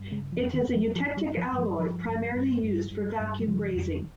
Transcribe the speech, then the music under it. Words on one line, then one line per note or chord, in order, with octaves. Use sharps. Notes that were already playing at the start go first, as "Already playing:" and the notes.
It is a eutectic alloy primarily used for vacuum brazing.
Already playing: G2
C#3 G#3
F3
F2
D#3
F2
F3
G2 F3
G3
G2
F3
G2
F3
G2 F3
G2
G2
G2
G2
G2
G3
C#3 F3
F2